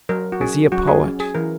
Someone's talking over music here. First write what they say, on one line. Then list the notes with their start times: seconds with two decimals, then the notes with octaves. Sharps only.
Is he a poet?
0.09 F#3 A#4
0.32 F#4
0.41 C#4 G#4
0.72 F#3 F#4
0.88 G#4
1.03 C#4
1.20 G#4
1.35 E3 A#4